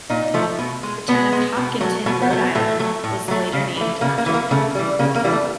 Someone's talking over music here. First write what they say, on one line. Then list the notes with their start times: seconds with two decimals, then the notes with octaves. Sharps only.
The town of Hopkinton, Rhode Island, was later named after him.
0.10 A#2 D#4
0.34 F3 A3
0.59 B2
0.83 G#3
1.08 B2 B3
1.32 G#3
1.57 B2
1.81 F#3 A3
2.06 B2 A3
2.22 B3
2.30 F#3 A3
2.39 B3
2.55 A2 A3
2.79 F#3 A3
3.04 A2
3.28 F#3 A3
3.53 C#3
3.77 E3 A3
4.01 C#3 A#3
4.18 A#3
4.26 E3 A3
4.34 A#3
4.51 C#3 A3
4.75 E3 G3
4.99 C#3 A#3
5.15 A#3
5.24 E3 G3
5.32 A3